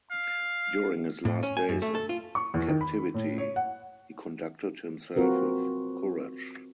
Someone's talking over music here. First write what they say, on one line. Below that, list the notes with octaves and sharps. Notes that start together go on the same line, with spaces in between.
During his last days in captivity he conducted himself with courage.
F5
A2
C#4
G#5
F#2
A3
A4
F4
C#6
E2
D#3
B5
A2
C#5
F#5
C4 F4 F#4 A#4 B4